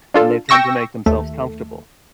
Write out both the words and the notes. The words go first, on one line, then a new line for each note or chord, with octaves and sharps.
and they tend to make themselves comfortable.
D4 F4 A4
G5 C#6 E6 A#6
D#2 A3